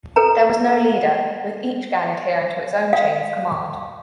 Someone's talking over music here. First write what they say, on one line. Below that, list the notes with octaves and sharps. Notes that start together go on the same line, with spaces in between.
There was no leader with each gang adhering to its own chain of command.
A4 B4 A#5
F5